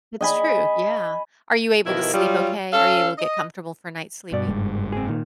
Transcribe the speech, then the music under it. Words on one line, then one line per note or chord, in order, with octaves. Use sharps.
That's true, yeah. Are you able to sleep okay? Are you able to get comfortable for a night sleeping?
D#5 G#5 B5
B2 D#3 F3 E4 G4 A#4
F#3 G3 F4
C#4 A4 F5
D#5
G2 B2 D5
F#1 G#2 G#3
C4 G#4
A#2 D#3